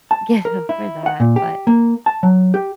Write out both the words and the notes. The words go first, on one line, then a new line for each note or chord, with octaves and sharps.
get over that," but
A5
A#4
E4
F#5
A#2
G4
A#3
A5
F#3
G4